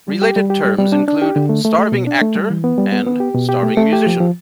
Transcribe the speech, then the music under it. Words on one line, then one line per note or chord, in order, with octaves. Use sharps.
Related terms include starving actor and starving musician.
G3
G4
G3
G4
G3
G3
D4
D4
G4
D3
A3
A3
A3
B2
D4
A3
G3
E3
B3
G3
B3
B3
G4
B2
G4
A3
A3
G4
F3
F3